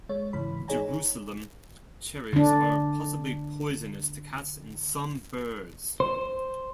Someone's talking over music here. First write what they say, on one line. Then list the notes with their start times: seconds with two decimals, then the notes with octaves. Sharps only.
Jerusalem cherries are possibly poisonous to cats and some birds.
0.09 G#3 C#5
0.33 G#2 C#3 E3 B5
0.68 D#4 G#4 C#5 G#5 A#5
2.33 D3 D4
6.00 C5